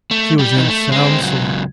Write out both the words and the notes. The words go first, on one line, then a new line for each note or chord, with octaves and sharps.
She was in a sound sleep.
A3
G3 G4
E3 D#4
A3
G#3 C4
C#2 F#3